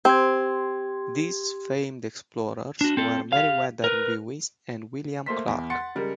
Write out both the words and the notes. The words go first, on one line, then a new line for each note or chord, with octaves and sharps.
These famed explorers were Meriwether Lewis and William Clark.
C4 G4 C6 G#6
D4 F#4
C4 A4
G4 F5
A#4 B4
A3 A#3 C5 B6
E2
F#5 C6 A6 C#7
C#3 G3 G#3 A#4